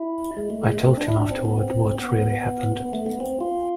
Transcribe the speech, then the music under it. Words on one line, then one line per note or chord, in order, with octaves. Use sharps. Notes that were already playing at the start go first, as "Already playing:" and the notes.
I told him afterward what really happened.
Already playing: E4
G#3
A3
G#3
A3
C4
D4
E4
D4
C4
B3
C4
B3
B3
A3
B3
C4
F4